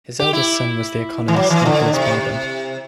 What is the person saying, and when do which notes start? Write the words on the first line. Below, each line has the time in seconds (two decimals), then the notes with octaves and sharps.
His eldest son was the economist Nicholas Barbon.
0.19 G4
0.33 E4
1.28 E3
1.36 F#3
1.50 E3
1.66 D3
1.94 C3